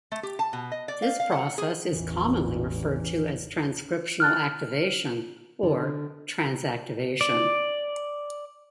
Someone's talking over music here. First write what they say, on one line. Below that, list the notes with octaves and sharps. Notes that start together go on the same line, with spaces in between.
This process is commonly referred to as transcriptional activation, or transactivation.
A3
G4
A5
B2
D#5
D5
F5
F5
F#5
G#4
A1 E2 E3
F6 F#6 A6
D3
D5